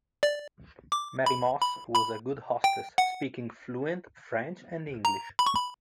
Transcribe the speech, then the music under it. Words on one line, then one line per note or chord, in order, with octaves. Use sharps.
Mary Moss was a good hostess, speaking fluent French and English.
D5
D6
B5
B5
B5
G5
F#5
A#5
B5
C#6
B5